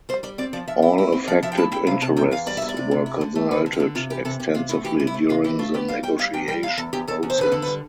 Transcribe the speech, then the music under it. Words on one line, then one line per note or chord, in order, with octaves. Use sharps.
All affected interests were consulted extensively during the negotiation process.
G3 C5
G3 D5
C4 D5
F3 D5
F3 E5
E4
E4
C4
F3 D5
F3 E5
G5
E4 A5
E4 G5
C3 F5
C3 A5
E2 G5
E2 F5
G3 D5
E2 E5
D5
C3
C3
E4
D3
A3
D3 B4
D3
G4
D3
C3 F4
E3 G4
C3 A4
C3 G4
C3 F4
A3 E4
E3 G4
C3
E4
A3
C3 F4
E3 G4
A3 F4
B3 G4
G3 F5
G3 G5
G3 F5
E2 G5
G3 G5
E2 F5
E2 A4
E2 G4
E2 A4
E2
C5
D3 B4
D3 A4
B4
G3